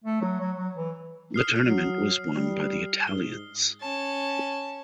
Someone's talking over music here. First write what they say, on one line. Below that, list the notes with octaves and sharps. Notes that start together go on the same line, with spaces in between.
The tournament was won by the Italians.
A3
F#3
F#3
F#3
E3
D#6 F6 C7
F#3
G3
G#2 G7
C#4 A5